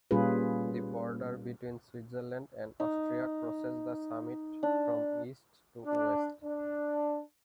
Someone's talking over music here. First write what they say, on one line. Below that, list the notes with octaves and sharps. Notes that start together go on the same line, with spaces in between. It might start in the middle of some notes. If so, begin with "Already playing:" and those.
The border between Switzerland and Austria crosses the summit from East to West.
A#2 G3 C#4 F4 G#4 B4
D#4
D4
D4
D4